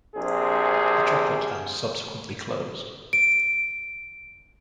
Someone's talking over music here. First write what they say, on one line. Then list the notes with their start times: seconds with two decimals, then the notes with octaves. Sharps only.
The Chocolate House subsequently closed.
0.16 A#1 C3 G#4
3.13 D7